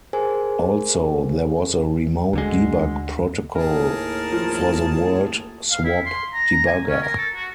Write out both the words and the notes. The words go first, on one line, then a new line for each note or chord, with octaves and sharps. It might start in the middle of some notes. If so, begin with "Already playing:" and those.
Also, there was a remote debug protocol for the world-swap debugger.
G#4 A#4 C5 G#5
D2 D3 G#3
D#2 A2 G#4 A#4 A5
F3
F5
E4
C6
A#5
A#5
G#5
C#4
A#4
A4
F#4